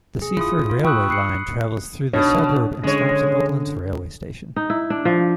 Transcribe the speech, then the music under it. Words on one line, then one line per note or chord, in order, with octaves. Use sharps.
The Seaford railway line travels through the suburb and stops at Oaklands railway station.
G#4
E4 F4 D#6
F4
G5 B5 C#6 D#6 E6 F#6
B5 D#6 F#6 C7 C#7
B2 D4 D#4 C#5
D3 G#3 C#4 C#5
D#4
E4
D4
F3